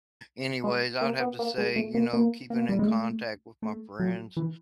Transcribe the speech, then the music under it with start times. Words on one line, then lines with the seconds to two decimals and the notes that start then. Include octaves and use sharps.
anyways, I would have to say, you know, keeping in contact with my friends,
0.64 G#3
1.01 A#3
1.20 B3
1.39 A#3
1.58 G#3
1.76 A3
1.94 A#3
2.13 A#3
2.50 A#3
2.69 G3
2.79 G#3
2.88 A3
3.62 A3
4.00 F#3
4.37 E3